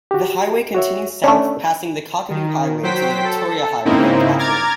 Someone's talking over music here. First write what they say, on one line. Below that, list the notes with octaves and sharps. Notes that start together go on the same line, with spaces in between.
The highway continues south passing the Kakadu Highway to the Victoria Highway at Katherine.
F#4 G4
F#4 C#5 E5
A3 C#4 D4
D#3
F#3 C5 G5 B6
A4
G#2 C#3 A#3 C4 D#4 E4
A#5 D6 F6 G#6 A6